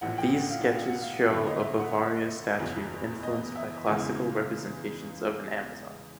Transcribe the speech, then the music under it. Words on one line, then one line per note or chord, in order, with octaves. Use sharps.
These sketches show a Bavaria statue influenced by classical representations of an Amazon.
A1 A2 F3 A3 F#5
G5
F#5
F5
F#5
F5
F#5
F5
G1 F2 D3 F#3 E5
D#5
E5
F#5
E5
F#1 E2 B2 F#3
D#5
E5
E2 C#3 E3 G#3 G#5